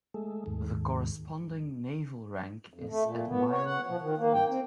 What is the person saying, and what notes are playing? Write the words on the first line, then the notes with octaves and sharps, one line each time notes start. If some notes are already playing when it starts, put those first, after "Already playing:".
The corresponding naval rank is admiral of the fleet.
G#3 A3
D#2 G#2
F2
A3
A#2
B3
C#5
F#5
F3
D#3
A#3
G5
C4